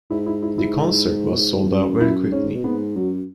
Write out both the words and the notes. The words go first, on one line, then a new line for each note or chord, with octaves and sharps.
The concert was sold out very quickly.
G#2 E4
E4
E4
E4
B2
G#2
E2
F#2
F#2 E4
G#2 C#4
B2
G#2 B3
F#2 F#3